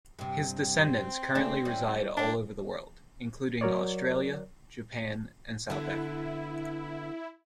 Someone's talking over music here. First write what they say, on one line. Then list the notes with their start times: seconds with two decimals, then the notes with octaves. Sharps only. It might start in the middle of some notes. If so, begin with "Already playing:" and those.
His descendants currently reside all over the world, including Australia, Japan and South Africa.
0.19 G2 C3
0.77 C4
1.35 C#3 A3 D4
1.65 E3 G3 C#4
2.17 D4 E4 A#4
3.61 F#3 A#4 C#5 D5
5.70 D3 B3 E4